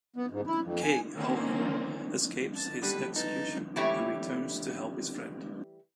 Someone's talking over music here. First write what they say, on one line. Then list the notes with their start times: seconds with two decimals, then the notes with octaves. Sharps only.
Kei, however, escapes his execution and returns to help his friend.
0.16 B3
0.31 G#2
0.47 E4
0.63 F2
0.82 G#5
1.15 D3 D#3 A#3 C4 C#4
2.56 A5
2.82 D3 G3 G4 B4
3.16 D#4 B4 A5
3.76 E3 G3 A3 E4 G4 C#5